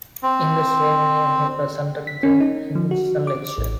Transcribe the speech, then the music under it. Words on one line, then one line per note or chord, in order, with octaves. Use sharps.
In the same year he presented the Higginson Lecture.
C4
B6
C#4
D#4
F3
F#4
D6
A1